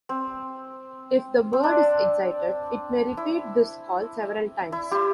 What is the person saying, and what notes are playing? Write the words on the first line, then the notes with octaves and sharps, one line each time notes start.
If the bird is excited, it may repeat this call several times.
C4
C4
D4
E4
E4
E4 G4